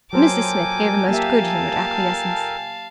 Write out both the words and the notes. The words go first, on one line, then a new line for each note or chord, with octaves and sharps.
Mrs Smith gave a most good-humoured acquiescence.
A#2 F#3 A4 A#4 C5 G5 G#5 D6
A#3 G4 E5 F5 A5